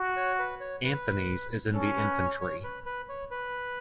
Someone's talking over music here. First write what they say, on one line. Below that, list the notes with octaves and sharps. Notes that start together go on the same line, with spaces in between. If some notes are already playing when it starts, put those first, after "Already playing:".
Anthony's in the Infantry.
Already playing: F#4
C#5
B4
C#5
B4
C#4 A4
B4
C#5
C#5
B4
B4
C#5
B4